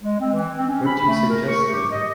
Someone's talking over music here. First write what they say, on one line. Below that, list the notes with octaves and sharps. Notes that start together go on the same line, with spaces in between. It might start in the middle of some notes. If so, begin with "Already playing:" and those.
What do you suggest, then?
G#3
C4
E3
C4
C#4
B5
A3
A#4
C#6
G4
D#5